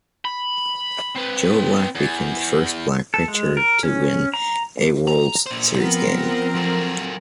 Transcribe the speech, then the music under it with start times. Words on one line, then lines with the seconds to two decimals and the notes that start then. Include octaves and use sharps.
Joe Black became the first black pitcher to win a World Series game.
0.25 B5
1.16 C4 B4
1.95 E2
3.14 A4
3.28 G#3
3.57 A#4
3.83 C#4
4.34 A#5
5.07 A#5
5.46 A#2 C5
5.80 F3 B3 C4 A#4
6.54 F#3 A4